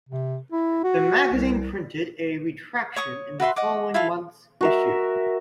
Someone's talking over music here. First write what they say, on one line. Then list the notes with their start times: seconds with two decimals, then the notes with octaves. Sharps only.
The magazine printed a retraction in the following month's issue.
0.09 C3
0.52 E4
0.84 F#4
1.33 C2
2.96 C#5 C#6 D#6
3.40 F#4 B4 E5 C6
3.56 D#5 F#5 D6
3.94 E4 F4 A4 F5
4.61 F#4 A#4 E5